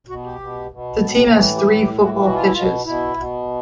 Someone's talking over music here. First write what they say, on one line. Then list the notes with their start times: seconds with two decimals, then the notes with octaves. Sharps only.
The team has three football pitches.
0.09 B2 F#4
0.25 G4
0.40 B2
0.71 B2
1.01 A2
1.32 E3
1.56 G4
1.63 A2 G#4
1.83 G4
1.94 E3
2.04 F#4
2.24 B2 F#4
2.34 F4
2.43 E4
2.53 B2 F4
2.86 B2 E4
3.16 B2